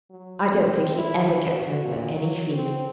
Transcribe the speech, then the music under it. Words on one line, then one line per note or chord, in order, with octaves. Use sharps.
I don't think he ever gets over any feeling.
F#3
C4
E4
E3
F#4
A#2
F#3
C4